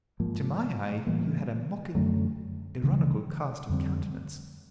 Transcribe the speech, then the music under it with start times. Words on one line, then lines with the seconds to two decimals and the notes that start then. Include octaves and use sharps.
To my eye, you had a mocking, ironical cast of countenance.
0.20 G#2 F3 A#3
1.07 A2 E3 G3 A#3
1.95 F#2 D3 F#3 A3
2.82 D2 C#3 E3
3.69 F2 D3 G3 C4